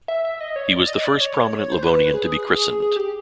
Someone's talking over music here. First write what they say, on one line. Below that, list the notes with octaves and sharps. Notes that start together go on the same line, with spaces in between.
He was the first prominent Livonian to be christened.
E5
E5
D#5
C#5
D5
D#5
D5
C#5
C5
B4
G#4
G#4
G4